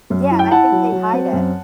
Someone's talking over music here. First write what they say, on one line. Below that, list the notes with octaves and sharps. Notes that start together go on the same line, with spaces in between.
Yeah, and I think they hide it.
F#2
E4
G5
E4 F#5 A5
F#3
F#3
C4
F#2